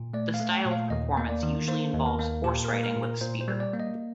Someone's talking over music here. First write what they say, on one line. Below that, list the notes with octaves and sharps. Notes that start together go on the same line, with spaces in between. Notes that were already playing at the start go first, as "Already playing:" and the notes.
The style of performance usually involves horseriding with a spear.
Already playing: A#2
A3 D5
F5
A3
G5
A#2
F5
D#2 D#5
A#3
D5
D#3
A#3 C5
D#2
A#4
A#3
A#2 G4
A#4
A#3
A#4
A#2
A#4
A#2 C5
C5
G3
D5
A#3
D#5